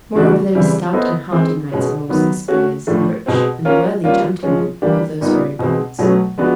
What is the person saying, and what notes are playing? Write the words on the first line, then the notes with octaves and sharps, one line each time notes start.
Moreover they were stout and hardy knights amongst the spears, and rich and worthy gentlemen of those very parts.
C#3 E3 A3 D4 F#4
C#3 E3 G3 C4 E4
B3 E4 A4 C5 D#5
E3 G#3 C4
B2 G#3 C#4
D#3 F#3 B3
A3 C#4 F#4
A2 F3 A3 D4
B2 G#3 C4
A#3 C#4 F4 A#4
G3 A#3 C#4 F4
F3 G#3 C#4
E3 G3 A#3 D4 G4
A#2 G3 B3 D#4
B2 G#3 C4
B2 F#3 A3 C#4
F3 G#3 B3 D4 F#4